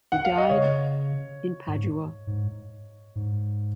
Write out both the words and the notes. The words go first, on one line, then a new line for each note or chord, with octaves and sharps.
He died in Padua.
F#5
F5
D#5
C#3 C#5
G#2
G#2
G#2